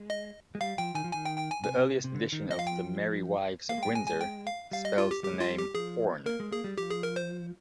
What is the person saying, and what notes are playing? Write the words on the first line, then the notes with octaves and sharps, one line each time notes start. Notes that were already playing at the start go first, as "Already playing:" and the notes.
The earliest edition of "The Merry Wives of Windsor" spells the name "Horne".
Already playing: G#3
D#5
G#3
G3 F5
F3 G5
D#3 G#5
F3
D#3 G#5
G5
G5
G#5
C3 G#5
C3
D3
D#3
F3 D#5
F5
G5
A#3 F5
G#3
G3 G5
G#3 G#5
G#5
G5
F5
G3 F5
D#5
F4
G4
G3 G4
G#3
G3 F4
G4
F3 G#4
A#3 A#4
G#3
A#3 G#4
G3
F3 G4
G#4
A#4
C5